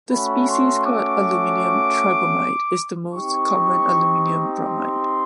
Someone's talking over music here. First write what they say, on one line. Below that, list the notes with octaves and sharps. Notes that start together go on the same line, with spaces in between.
The species called "aluminium tribromide," is the most common aluminium bromide.
A3 C#4 F#4 B5
C6
D6
C4 D#4 G4 C#6
C6